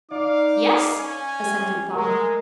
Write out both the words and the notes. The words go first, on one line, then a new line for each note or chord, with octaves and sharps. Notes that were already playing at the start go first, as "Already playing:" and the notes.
"Yes," assented Thong.
D#4 D5 F5 D6
C#4 G#5
G4
G#3 A3 A#4